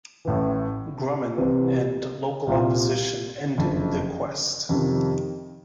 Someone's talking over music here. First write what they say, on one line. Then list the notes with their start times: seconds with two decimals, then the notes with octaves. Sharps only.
Grumman and local opposition ended the quest.
0.25 A1 A2 E3
1.36 C2 C3 E3
2.47 C2 A#2 G3 C4 F4
3.58 F#1 F2 D3
4.69 F2 C3 D#3